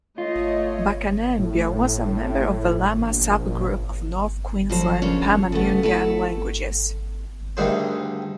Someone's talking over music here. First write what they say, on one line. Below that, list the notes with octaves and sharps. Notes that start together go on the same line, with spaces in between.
Bakanambia was a member of the Lama subgroup of north Queensland Pama-Nyungan languages.
A3 F4 C#5 D#5
A2
A#1
D2 F3 F#3 C5
C#3 F3 A#3 C#4 D4
C#3 A3 B3
A3 E4 F#4 A4
D2 G2 D#3 G#4 C5